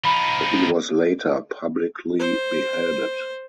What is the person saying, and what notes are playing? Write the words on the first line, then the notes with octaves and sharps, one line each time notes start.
He was later publicly beheaded.
F3 D#4 B5
C5